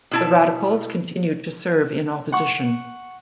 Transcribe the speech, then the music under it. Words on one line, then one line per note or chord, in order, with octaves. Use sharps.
The Radicals continued to serve in opposition.
B2 E4 A5
F#5 C#6